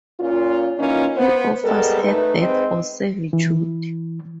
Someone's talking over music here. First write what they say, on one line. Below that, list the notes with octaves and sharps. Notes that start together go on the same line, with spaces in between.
He offers her death or servitude.
A#2 C#4 F4
E3 A#3 C#4 D#4 F4
B3 C5
G3 G#3 B3 A4 A#4
A3 D#4 B4
G#2 C4 B4 D#5
E3